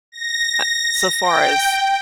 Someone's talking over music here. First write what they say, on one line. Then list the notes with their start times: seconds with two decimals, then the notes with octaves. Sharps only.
uh, so far as,
0.12 A#6
1.23 G5